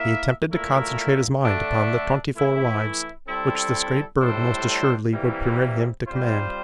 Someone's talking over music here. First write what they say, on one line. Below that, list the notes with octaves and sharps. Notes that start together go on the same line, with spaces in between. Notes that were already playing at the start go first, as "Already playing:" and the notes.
He attempted to concentrate his mind upon the twenty-four wives which this great bird most assuredly would permit him to command.
Already playing: A#3 E4 A#4 E5
A#2 A3 E4 A#4 E5
D3 A3 D4 A4 E5
E3 A3 E4
G3 C4 E4 A4
A2 G3 D4 A4 C5
C3 E3 G3 A#3 E4
G3 C4 F4 C5